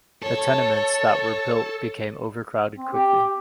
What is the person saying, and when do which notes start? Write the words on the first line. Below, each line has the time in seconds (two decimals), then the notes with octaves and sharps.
The tenements that were built became overcrowded quickly.
0.22 A4 C#5
2.76 C4
2.93 G4